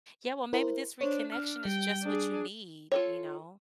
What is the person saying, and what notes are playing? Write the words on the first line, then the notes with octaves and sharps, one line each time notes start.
Yeah, well, maybe this reconnection is just what you need, you know?
E4 A#4 C5
D4 C5 C#5
D4 F6
G3 G5
D4 G#4
F4 A4 C#5